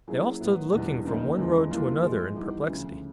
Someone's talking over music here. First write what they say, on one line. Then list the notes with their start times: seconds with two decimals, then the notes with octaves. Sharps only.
They all stood looking from one road to another in perplexity.
0.07 F#3 A#3 C#4 E4 G#4
0.40 A2 F#3 B3
0.72 E2 B2 G3 B3 D4
1.05 D2 C#3 F3 A#3 D#4
1.37 E2 C#3 F3 G#3
1.70 E3 G3 A#3 D4 F4
2.02 A2 F3 G#3
2.35 E3 G3 B3 D#4
2.68 D2 C#3 F3